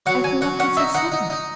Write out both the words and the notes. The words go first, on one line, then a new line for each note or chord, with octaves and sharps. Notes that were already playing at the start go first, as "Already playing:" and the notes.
I have been walking since sunrise.
F#3 F#5
F#3 G#5
F#3 F#5
C#4 F#5
D#4 E5
D#4 F#5
D#4
D#4